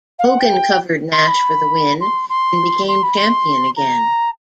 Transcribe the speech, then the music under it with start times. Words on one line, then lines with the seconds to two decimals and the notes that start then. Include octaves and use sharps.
Hogan covered Nash for the win and became champion again.
0.19 F5
0.24 F#5
0.39 G5
1.12 C6
1.27 B5
2.00 C6
2.29 C6
2.88 C6
3.03 B5
3.17 C6
3.76 A#5